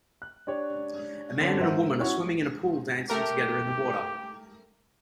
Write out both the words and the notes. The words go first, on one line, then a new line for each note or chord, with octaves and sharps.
A man and a woman are swimming in a pool dancing together in the water.
F#6
D4 G4 C#5
D3 C4 C#4
G#2 A#4 C5 E5 F#5
C#4 E4 F#4 C#5
A3 G4 A#4